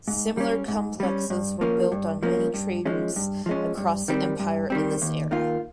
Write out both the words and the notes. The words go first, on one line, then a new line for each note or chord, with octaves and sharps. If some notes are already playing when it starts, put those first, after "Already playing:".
Similar complexes were built on many trade routes across the empire in this era.
G#2
G3 C#4
G#2
G3 C#4
G2
F3 A#3 C#4
G2
F3 A#3 C#4
G2
F3 G#3 C#4
G2
F3 G#3 C#4
G2
D#3 G3 C4
G2
D#3 G3 C4
D#2
D#3 A#3 F4